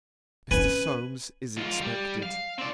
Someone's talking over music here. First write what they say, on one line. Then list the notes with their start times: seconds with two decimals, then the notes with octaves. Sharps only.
Mr. Solmes is expected.
0.51 C4 C#4 B4 G#5
1.57 G#2 F4
1.81 G3
2.23 F5
2.59 C4 D5